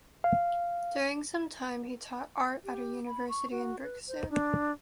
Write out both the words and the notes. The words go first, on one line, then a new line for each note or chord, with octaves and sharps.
During some time he taught art at a university in Brixton.
F5
G4
B5
C#6
F#4
B4
C5
D4